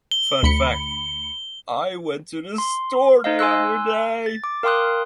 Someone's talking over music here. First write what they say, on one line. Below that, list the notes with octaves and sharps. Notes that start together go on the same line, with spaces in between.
Fun fact: I went to the store the other day.
G7
D2 B5 C#7
C6
D#4 C5 D#5 F5
G#5 C6 E6 F#6
A6
D6
A#4 F5 G5 C6 D#6 F#6